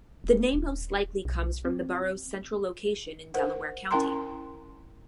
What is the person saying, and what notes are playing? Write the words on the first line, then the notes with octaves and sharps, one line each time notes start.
The name most likely comes from the borough's central location in Delaware County.
D#1
D#1
B1
C4
A#4 C5 F#5
C#4 E4 A#4 G5 A#5 C6